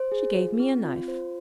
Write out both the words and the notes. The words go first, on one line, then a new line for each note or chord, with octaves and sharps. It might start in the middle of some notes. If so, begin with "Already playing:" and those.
'She gave me a knife.'
Already playing: C5
G#4
F4
C4
F4
C5